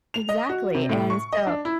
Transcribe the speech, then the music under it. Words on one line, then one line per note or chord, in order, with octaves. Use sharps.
Exactly. And so
F7
D#5
F#4
C3
A2
C#6
D#5
D4
E4